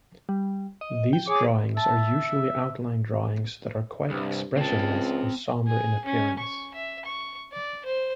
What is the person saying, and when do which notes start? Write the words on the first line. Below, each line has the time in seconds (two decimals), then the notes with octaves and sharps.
These drawings are usually outline drawings that are quite expressionless and somber in appearance.
0.29 G3
0.81 D#5
1.13 G5
1.27 G#4 C#5 D6
1.77 E5 A5
4.10 C2 G2
4.57 C#2 C4 A5
5.67 G#4
6.05 C#4
6.39 C#6
6.74 E5
7.05 C#6
7.52 D5
7.85 C5